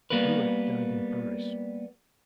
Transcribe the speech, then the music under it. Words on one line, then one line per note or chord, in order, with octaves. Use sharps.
Ruwet died in Paris.
G3 A#3 B3 A#4 B4